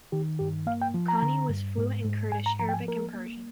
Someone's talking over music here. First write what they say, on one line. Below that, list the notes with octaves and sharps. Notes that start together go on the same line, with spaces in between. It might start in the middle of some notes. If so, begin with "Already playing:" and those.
Khani was fluent in Kurdish, Arabic and Persian.
D#3 G4
G2 G4
A#3 F5
G5
F3
A#5
D3
G2
G#2
G#2
G#2 G#5
A#5
F3 A#5
G5
G#5
A#3 A#4
A#3